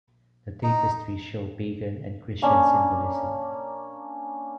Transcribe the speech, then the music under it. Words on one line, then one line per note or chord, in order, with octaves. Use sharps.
The tapestries show pagan and Christian symbolism.
D#4
A#3 C#4 D4